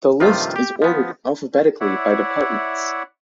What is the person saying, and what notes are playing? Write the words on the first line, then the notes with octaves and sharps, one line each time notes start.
The list is ordered alphabetically by departments.
G2 C3 D#3 F3 A3 F4
G4
F3 B3
E4 C#5 D5 E5 F#5